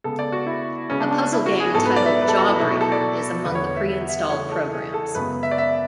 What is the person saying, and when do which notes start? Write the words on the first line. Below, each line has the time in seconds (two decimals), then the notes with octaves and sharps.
A puzzle game titled "Jawbreaker" is among the preinstalled programs.
0.04 C#3 G#3 B3 A4
0.19 D5
0.32 F#4
0.47 E4
0.90 C#3 G#3 B3 C#4
1.00 D4
1.11 D4
1.21 D4
1.33 E4
1.46 F#4
1.60 G#4
1.74 G#2 F#3 B3 A4
1.85 B4
1.96 D5
2.06 E5
2.21 B4
2.28 A4
2.38 F#4
2.48 E4
2.60 B2 F#3 A3 E4
2.70 F#4
2.81 A4
2.92 D5
3.45 E2 D3 A3 B4
3.55 C#5
3.67 C#5
3.77 E5
3.88 E5
4.09 E5
4.29 C#3 E3 A3 C#5
4.51 A4
4.73 G#4
4.94 A4
5.15 F#2 C#3 G#3 B3 B4
5.43 E5
5.51 D5
5.58 E5